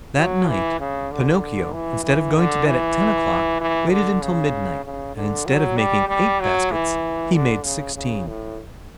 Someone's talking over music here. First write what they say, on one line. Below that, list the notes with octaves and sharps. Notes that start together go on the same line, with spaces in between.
That night, Pinocchio, instead of going to bed at ten o'clock waited until midnight, and instead of making eight baskets, he made sixteen.
F#3
E3
C#3
D3
E3
E3
D3
E3
E3
D3
C#3
C#3
D3
F#3
G3
G3
F#3
E3
D3
C#3
C#3
A2